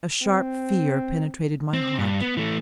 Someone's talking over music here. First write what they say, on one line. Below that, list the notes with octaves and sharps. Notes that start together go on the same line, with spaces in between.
A sharp fear penetrated my heart.
C4
C4
G2
B3
E3 A3